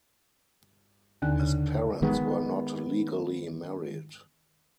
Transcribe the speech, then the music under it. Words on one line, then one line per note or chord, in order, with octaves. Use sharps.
His parents were not legally married.
D#2 D3 G#5 F#6
C#3
D#3 G#3 B3